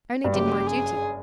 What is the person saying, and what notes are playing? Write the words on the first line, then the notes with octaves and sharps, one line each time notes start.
'Only did my duty.
G2
F#1 F#2 G4
G#4